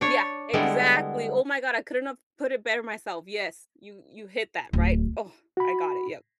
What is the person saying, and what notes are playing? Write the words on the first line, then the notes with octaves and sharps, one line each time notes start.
Yeah, exactly. Oh my god, I couldn't have put it better myself, yes, you you hit that right Oh, I got it, yep.
D4 C#5
D3 G3 G#3 B3 E4
D1
F#4 B5